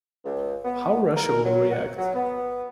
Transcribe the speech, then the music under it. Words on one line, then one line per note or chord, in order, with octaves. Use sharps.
How Russia will react?
C#2
B3
A#4
F#3
F#5
F#3
B3